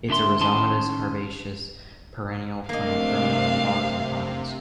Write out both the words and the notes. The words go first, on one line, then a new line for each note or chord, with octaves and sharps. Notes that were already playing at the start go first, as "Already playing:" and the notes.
It is a rhizomatous herbaceous perennial plant growing in bogs and ponds.
D2 D4 E5 C6
D#3 C#4 D#4 A5 C6
C3 A3 A#3 C4 D4 D#5 F5